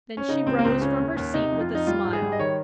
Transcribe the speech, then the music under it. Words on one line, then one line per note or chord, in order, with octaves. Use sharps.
Then she arose from her seat with a smile.
C#4
C#3 D#4
C#2 C4
A#3
C#2 C4
C#3 C#4
D#2
D#2
C3 D#4
F2
F4
F2 D#4
G3 F4
G#2
G#4
G3
D#5
D#3 C#5